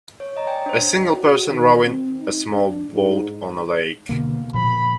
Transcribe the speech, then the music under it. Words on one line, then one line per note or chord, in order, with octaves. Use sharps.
A single person rowing a small boat on a lake.
C#5
C#5 D#5 A#5
D5 D#5 G5 G#5
D4 C5
F#4
D#3
C4
D#4
D4
G#2
B2 D3 A#3
A#2 F3 B5